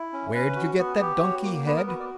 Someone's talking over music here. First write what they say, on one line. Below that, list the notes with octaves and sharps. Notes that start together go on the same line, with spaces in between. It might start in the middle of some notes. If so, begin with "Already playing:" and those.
Where did you get that donkey head?
Already playing: E4
C#4
C#4 B4
F#4
B3
G4
F#4 C#5
A#3
B3 B4
A#4
F#4 B4
D5